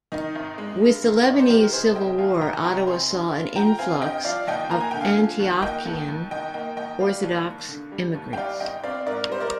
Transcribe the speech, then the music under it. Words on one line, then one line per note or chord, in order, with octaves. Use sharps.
With the Lebanese Civil War Ottawa saw an influx of Antiochian Orthodox immigrants.
D#3 D#4
G#1
G#3
G2
D#3
G#1 D5
C5
D#3 G4 A#4
A#4
F1 G#4 C5
F1 D#5 G5
D#2 F5 G#5
D#3 G5 A#5
F1 G5 A#5
C4 G#5 C6
G2
G2
F3 G5 A#5
C4 F5 G#5
G2 D#5 G5
F3 D5 F5
D#2 D#5 G5
A#3 A#5
G#5
D3 G5
F5 G#5
F3
D#2
A#3 D#5 G5
D#2
D#2
D#3 D#5 G5
A#3 D#5 G5
D#2 D#5 G5
G3 D5 F5
D#2
D#2
D3
G3
D#2
G5
G3 D5 F5
G#1 D#5 G5
C4 D5 F5
G#2 A#4 D5
G3 C5
A#4 D5